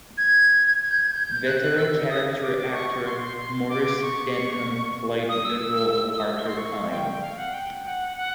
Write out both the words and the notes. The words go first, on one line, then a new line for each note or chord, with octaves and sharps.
Veteran character actor Maurice Denham played the role of Parker Pyne.
G#6
G#6
G6
G#6
G6
F#6
F#6
E6
D#6
D6
C#6
C6
C6
C6
D6
C#6
D#6
E6
D#6
E6
C6
C#6
G5
F5
F#5
G5
F#5
F#5